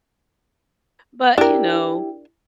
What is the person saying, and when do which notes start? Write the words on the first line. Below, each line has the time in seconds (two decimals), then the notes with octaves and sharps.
but you know,
1.38 D4 E4 G4 A#4